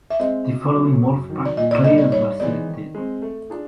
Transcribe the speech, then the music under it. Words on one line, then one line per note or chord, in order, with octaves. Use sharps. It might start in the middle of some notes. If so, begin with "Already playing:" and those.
The following Wolfpack players were selected.
E5
G#3 C4 D#5
B2
F#3 A3 C#4
F#2
D#3 F#3
D5
A#2 D#5
D5
G3 A#3 D#4 D#5
D5
G2 C#5
E3 G#3 B3 D#4 D5
D#3
G#3 C4
A3
D4 F4 G#4